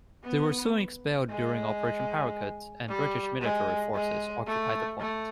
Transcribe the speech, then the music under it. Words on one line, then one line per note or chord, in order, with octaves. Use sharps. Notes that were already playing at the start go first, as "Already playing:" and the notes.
They were soon expelled during Operation Paraquet and British military forces occupied the point.
B3
G#3
G3
G#3
G#3
A3
A3